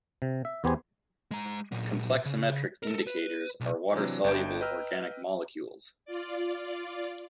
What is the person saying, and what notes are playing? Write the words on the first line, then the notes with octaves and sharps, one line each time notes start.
Complexometric indicators are water-soluble organic molecules.
C3
E5
E2 B3 G4 C5 G#5
G#3 A#5
A#2 F#3
C#3
A4 A#4
B4
B1
C3 E3 F#3 D4
G1 D4 E5 G5 G6 D7
B4 D#5 G5 A#5 E6 F6
F4 D5